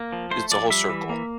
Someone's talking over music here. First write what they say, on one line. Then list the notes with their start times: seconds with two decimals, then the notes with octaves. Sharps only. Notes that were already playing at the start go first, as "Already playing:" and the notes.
it's a whole circle.
Already playing: A#3
0.13 F3
0.31 A3 C5
0.51 F3 D5
0.70 G3 E5
0.90 E3
1.09 A#3